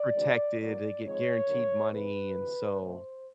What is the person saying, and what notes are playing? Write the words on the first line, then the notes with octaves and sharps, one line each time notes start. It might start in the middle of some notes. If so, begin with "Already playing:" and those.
protected, they get guaranteed money and so,
Already playing: D5
D2 C3 E3 G#3 C4
A2 F#3 A#3 D5
G#2 F3 G#3 C4 C#5
D2 D3 F#3 A#3
C3 E3 G#3 C4 B4
D2 C3 E3
B2 F#3 A3 C5